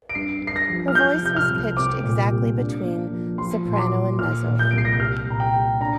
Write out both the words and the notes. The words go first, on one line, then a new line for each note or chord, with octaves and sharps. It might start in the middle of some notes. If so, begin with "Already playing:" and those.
Her voice was pitched exactly between soprano and mezzo.
D7
G2 C7
G2
C7
A#6
F3
F6
F3 G6
C3 G6
F6
C2
C4 D6
A#2
G3
D4
A#3
F3
F3 C6
A#2
C6
D6
A#2
A#2 F6
A#2
G6
C2 D7
C7
A#6
G6
G3 F6
A#2 A#5
G5
G3
D4 A#5